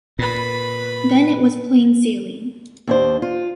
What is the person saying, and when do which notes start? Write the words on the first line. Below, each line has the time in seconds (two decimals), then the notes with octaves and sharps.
Then it was plain sailing.
0.19 A#2 B4 B5
2.87 D#2 D4 C5
3.22 F4